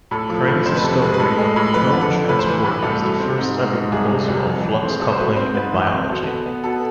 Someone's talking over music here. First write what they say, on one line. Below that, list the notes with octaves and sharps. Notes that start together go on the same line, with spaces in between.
Crane's discovery of cotransport was the first ever proposal of flux coupling in biology.
A2 A4
F3
A2
F2 C5
B4
C3 A4
B4
G#3
B4
A2 A4
G#3
A2
F2 B4
D3
A4
F2
A2 B4
C5
E3 B4
A2
C2 A4
B2
C4
G#2
G#3
G#2
C2 G#4
C3
C2
F2
E3
C4
G#4
C2 A4
C5
B2 B4
C4 C5
G#2 B4
E3
C4
B2 A4
B3
B3
B2 A4